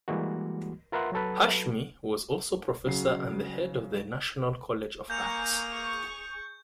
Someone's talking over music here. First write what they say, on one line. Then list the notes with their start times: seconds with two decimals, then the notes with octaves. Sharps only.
Hashmi was also professor and the head of the National College of Arts.
0.08 E3 G3 G#3 A#3 F#4
0.92 F4 A#4 B4 E5 F#5 C6
1.12 F#3 F#4 A4 B4
2.86 C#3 F#3 C7
5.10 A#3 G#5 A#5 C#6 D#6 G6 F7
5.72 G#4 C#6